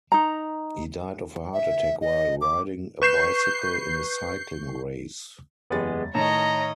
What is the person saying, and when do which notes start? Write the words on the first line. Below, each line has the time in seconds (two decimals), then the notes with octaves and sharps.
He died of a heart attack while riding a bicycle in a cycling race.
0.12 D#4 A#5
1.53 E5
2.01 D#5
2.41 D6
3.02 B4 C#6 G6 C7 E7
5.70 F#1 E2 G#3 B3 G4 A6
6.15 A2 D#3 C#5 D#5 A5 A#5